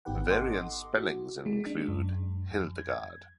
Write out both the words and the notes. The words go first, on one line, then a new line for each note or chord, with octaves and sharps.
Variant spellings include Hildegarde.
G#1 B3 D#4 G4 B4 F#5
A4 D#5 F#5 C6 D6
F#4
G#3
D4
F#2
F2
G#6